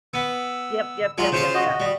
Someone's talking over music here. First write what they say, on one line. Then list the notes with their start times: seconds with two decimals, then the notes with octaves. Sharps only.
Yep, yep, yep, yep, yep.
0.14 B3 E6
1.18 F#3 G#3 F4
1.32 C#3 F4 C5 C6
1.54 F#4 D#5
1.80 G3